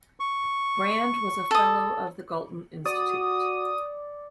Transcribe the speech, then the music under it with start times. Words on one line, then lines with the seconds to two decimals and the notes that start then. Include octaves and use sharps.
Brand was a Fellow of the Galton Institute.
0.20 C#6
1.51 A4 D#6
2.85 F#4 D5 D#6